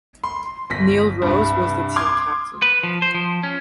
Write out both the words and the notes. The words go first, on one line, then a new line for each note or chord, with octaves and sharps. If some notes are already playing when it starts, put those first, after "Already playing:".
Neil Rose was the team captain.
C6
G1 A#6 B6
C2 G2
C6 D6 D#6 F6 G#6
B4
F3
C5
F3
C#4